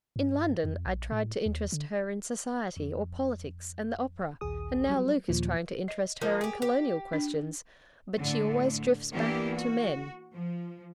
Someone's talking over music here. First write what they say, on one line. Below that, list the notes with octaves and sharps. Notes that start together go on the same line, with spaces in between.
In London, I tried to interest her in Society, or Politics, and the Opera--and now Luke is trying to interest her in Colonial questions--but she always drifts back to--Men.
G2
F2
A#1
A2
D#2
D3
F2
A#1 D#2 G#4 D#6
F#3 G3
D#2 A#2 F3
D#5
F3 A#3 D#4 A#4
G4 G#4
G4
D4
A2 D3
E3 A#3 B3 D4 E4 G4
F#4
F3